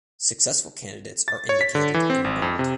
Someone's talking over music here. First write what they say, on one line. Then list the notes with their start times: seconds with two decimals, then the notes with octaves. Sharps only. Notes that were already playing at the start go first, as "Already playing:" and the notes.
Successful candidates are indicated in bold.
1.28 A6
1.49 C#5
1.61 B6
1.75 D3
1.94 E3
2.10 C4
2.24 G#1
2.42 F2
2.59 C3